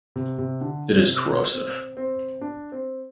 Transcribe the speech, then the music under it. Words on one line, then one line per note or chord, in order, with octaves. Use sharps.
It is corrosive.
C3
C3
D3
C3
C4
C4
D4
C4